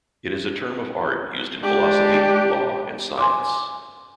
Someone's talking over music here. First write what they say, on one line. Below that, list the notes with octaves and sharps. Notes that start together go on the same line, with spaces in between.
It is a term of art used in philosophy, law, and science.
G#3 D4 G4
G#5 C6 D6